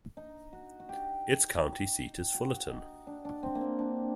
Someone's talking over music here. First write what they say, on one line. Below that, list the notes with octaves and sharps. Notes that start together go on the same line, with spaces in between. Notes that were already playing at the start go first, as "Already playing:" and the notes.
Its county seat is Fullerton.
D#4
F#4
F#4
G4
F#4
D#4
D4
D4
C4
A#3
C4
D4